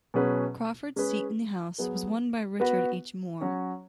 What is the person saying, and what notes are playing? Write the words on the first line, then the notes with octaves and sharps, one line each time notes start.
Crawford's seat in the House was won by Richard H. Moore.
B2 F#3 C#4 G#4 B4
G#3 C#4 G#4 B4
F#3 B3 G#4 B4
B3 F#4 B4
F#3 C#4 F#4 C#5